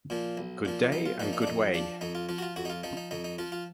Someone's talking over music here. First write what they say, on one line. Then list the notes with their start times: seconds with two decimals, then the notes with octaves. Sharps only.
Good day and good way!
0.10 A#2 F3
0.37 B1
0.65 A#2 F3
0.92 B1 D#4
1.06 F4
1.20 A#2 F3 D#4
1.33 D#4
1.42 D4
1.47 F2 D#4
1.74 F3 D4
2.01 F2 D#4
2.15 F4
2.29 F3 F4
2.38 F#4
2.42 F4
2.56 F2 F#4
2.65 D#4
2.70 F4
2.83 F3 D#4
2.97 D#4
3.11 F2 D#4
3.24 D#4
3.38 F3 F4
3.52 F4